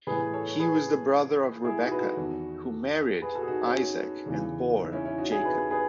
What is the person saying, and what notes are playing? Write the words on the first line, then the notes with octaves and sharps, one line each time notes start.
He was the brother of Rebecca, who married Isaac and bore Jacob.
A2 E3 G#4 B4
A4 C#5
C#5
G#4 B4
E4 G#4
D#4 F#4
B4
F#4 A4
E2 D#3
G#4 B4
F#4 A4
G#4
D#4 F#4
C#4
D#4
E2 C#3 E3
D#4
C#4 E4
C#4 E4
D#4 F#4
E4 G#4
G#4 B4
G#4 B4